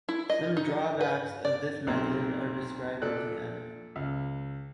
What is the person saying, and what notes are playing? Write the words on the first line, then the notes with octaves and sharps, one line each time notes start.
Some drawbacks of this method are described at the end.
E4
D#5
D#4
B4
D5
B1 A#3 C4
A#2 A4 D5 F#6
C#2